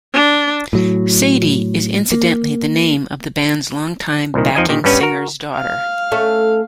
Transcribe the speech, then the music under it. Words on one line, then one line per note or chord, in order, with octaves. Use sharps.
Sadie is incidentally the name of the band's longtime backing singer's daughter.
D4
A2 F#3
A#3
C2 A#2 D#3
F2 F3 D#4 D#5 G#5
A#2 D#3 G4
G2 G3 B3 C#4 B4 G#5
F#4 A#4
F5
A3 C#4